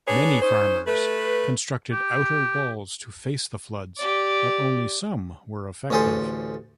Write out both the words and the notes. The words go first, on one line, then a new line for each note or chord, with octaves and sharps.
Many farmers constructed outer walls to face the floods, but only some were effective.
D4 G#4 B4 C#5
C#4 D#4 C5
A3 B4
G4
G4 D5
A1 D2 C#4 G#4 A4 C5